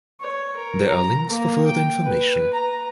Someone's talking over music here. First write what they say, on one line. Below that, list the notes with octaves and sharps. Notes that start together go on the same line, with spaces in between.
There are links for further information.
C#5
A#4
A#5
A#3
G5
B4
A#5